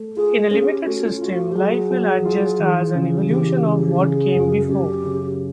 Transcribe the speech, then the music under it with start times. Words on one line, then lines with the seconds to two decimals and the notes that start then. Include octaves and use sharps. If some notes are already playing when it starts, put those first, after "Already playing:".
In a limited system life will adjust as an Evolution of what came before.
Already playing: A3
0.17 F4 G#4
0.51 C#4 G#4
0.69 G4
0.86 A3 F#4
1.04 F4
1.21 F4 F#4
1.52 G4
1.55 F#3 G#4
1.91 F#3
2.25 F4
2.60 E3
2.95 C#3
3.29 E3 G4
3.65 C#3
3.89 G4
4.00 C#3 G#4
4.35 F#2
4.68 F#2 G4
5.04 C#3